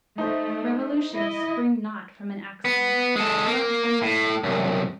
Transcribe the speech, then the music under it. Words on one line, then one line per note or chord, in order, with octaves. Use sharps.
Revolutions spring not from an accident, but from necessity.
A3 D#4 C5
E4 D#5
B3
G#3 A4
A#3
A2
C2 F#2